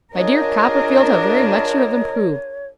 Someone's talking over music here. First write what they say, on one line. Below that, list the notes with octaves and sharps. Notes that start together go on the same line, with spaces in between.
My dear Copperfield, how very much you have improved!
D4 F4 G#4 A#4 C#5 D#5